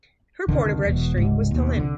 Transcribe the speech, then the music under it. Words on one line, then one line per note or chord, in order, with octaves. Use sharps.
Her port of registry was Tallinn.
C2 F2 D3 D#3
E1 B2
F1 C#2 G#2 G3
D#2 B2
C2 D3